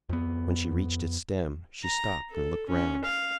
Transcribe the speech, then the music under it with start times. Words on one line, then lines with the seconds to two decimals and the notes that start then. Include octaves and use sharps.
When she reached its stem, she stopped and looked round.
0.09 F2 B3
1.84 A#5
2.31 A4
2.69 C#4
3.04 F5